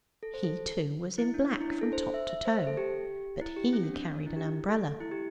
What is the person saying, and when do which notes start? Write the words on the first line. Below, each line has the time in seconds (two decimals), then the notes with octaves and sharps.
He, too, was in black from top to toe; but he carried an umbrella.
0.23 A4
0.34 C5
0.44 A4
1.18 E4
1.34 D4
1.50 D4
1.61 E4
1.72 D4
1.81 A4
1.93 C5
2.14 E5
2.30 E5
2.45 C5
2.56 C5
2.67 A4
2.77 G4
3.41 E4
3.56 G4
3.73 C4
3.83 D4
3.94 D4
4.05 D4
4.15 D4
4.26 E4
4.36 G4
4.69 A4
5.00 E4
5.12 G4